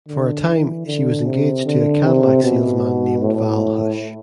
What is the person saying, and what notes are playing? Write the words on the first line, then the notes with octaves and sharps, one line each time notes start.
For a time, she was engaged to a Cadillac salesman named Val Hush.
D3
E3
D3
C3
D3
C3
B2
A2